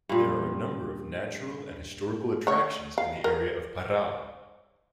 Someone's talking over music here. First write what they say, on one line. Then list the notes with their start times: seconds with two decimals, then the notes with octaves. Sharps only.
There are a number of natural and historical attractions in the area of Parral.
0.09 G2 A#2
2.47 A3 C#5
2.98 F5
3.24 A#4